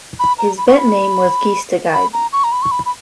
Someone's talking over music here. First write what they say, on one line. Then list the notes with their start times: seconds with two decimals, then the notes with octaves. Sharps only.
His bentname was "Geestigheid".
0.19 B5
0.39 A#5
0.58 B5
0.68 C#6
0.78 B5
1.94 B5
2.13 A#5
2.33 C#6
2.44 A#5
2.52 B5
2.62 C#6
2.71 B5
2.86 B5